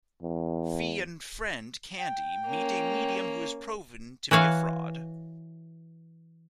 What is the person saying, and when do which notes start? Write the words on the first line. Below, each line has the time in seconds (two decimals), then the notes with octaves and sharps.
Fi and friend Candy meet a medium who is proven to be a fraud.
0.23 E2
1.99 G5
2.47 A#3 C#4
4.31 E3 F#4 C#5 F5